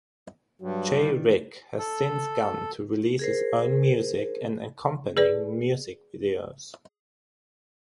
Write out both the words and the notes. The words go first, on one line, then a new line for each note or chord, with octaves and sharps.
J Rick has since gone to release his own music and accompanying music videos.
G2 F#3
D#3 E3 D4
A4
G#4 A#4 C5
G#4 B4 D5